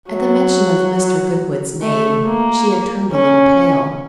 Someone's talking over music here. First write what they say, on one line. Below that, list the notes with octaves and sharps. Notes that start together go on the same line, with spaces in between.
At the mention of Mr. Goodwood's name she had turned a little pale.
F#3
A3
A#3
C#4